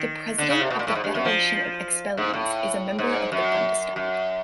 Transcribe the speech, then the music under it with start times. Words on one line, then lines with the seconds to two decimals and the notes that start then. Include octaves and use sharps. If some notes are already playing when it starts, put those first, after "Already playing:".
The president of the Federation of Expellees is a member of the Bundestag.
Already playing: D#3
0.38 D3
0.50 C#3
0.60 C3
0.70 B2
0.79 A#2
0.87 A2
0.95 G#2
1.04 G2
1.15 F#2
1.25 F3
2.17 G#2
2.34 A2
2.99 G#2
3.32 F#2
3.96 F#2